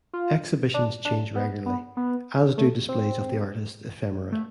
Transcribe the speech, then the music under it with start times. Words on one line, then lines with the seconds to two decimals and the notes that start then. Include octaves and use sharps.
Exhibitions change regularly, as do displays of the artist's ephemera.
0.13 F4
0.74 D4
1.05 D4
1.36 B3
1.66 B3
1.97 B3
2.58 A3
2.89 C4
4.32 A3